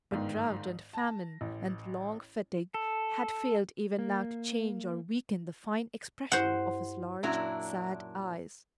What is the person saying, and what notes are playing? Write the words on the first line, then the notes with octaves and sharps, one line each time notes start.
But drought and famine and long fatigue had failed even now to change or weaken the fine expression of his large, sad eyes.
G1 G#2 D#3
A5 A#6
A1
A4
A#3
G2 E4 C5 F#5
F#2 A#2 D4 E4 F#4 A#5